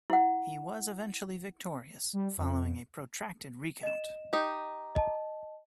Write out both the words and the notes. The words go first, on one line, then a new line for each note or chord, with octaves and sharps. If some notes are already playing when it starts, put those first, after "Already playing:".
He was eventually victorious, following a protracted recount.
E4 F#5
G3
F2
D#5 E7
D#4 G4
D#5 A5